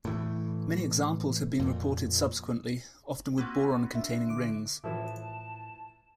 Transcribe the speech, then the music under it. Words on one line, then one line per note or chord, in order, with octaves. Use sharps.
Many examples have been reported subsequently, often with boron-containing rings.
A2 E3
F2 A#2
A#3 C4 F4 F#4 B4
D4 E5
D3 D6 D7
A2 E3 F3 E4 A5